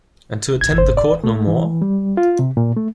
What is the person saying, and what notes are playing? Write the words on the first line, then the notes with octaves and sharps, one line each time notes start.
And to attend the court no more?
G#6
C5
D5
A3
E3
G3
F4
C3
A#2
A3